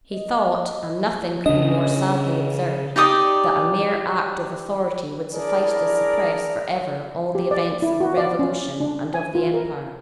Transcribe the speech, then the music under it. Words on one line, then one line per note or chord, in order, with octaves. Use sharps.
He thought, and nothing could be more sadly absurd, that a mere act of authority would suffice to suppress forever all the events of the Revolution and of the empire.
D#5
C#3 C#4 D4 D#5
D#4 G4 D5 D#6
D4 E4 G#4 A#4 D5
G4
D5
E4
F#4
D5
C#4
D4
G#5
F4
A#4